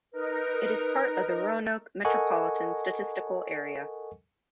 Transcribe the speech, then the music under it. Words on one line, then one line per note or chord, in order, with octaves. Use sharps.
It is part of the Roanoke Metropolitan Statistical Area.
D#4 A#4 B4
A4 A#4 D#5 F#5 G#5 C#6